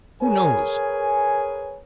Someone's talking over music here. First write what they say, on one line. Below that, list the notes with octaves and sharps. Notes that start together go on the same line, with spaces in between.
Who knows!
G#4 A#4 B4 C#5 G#5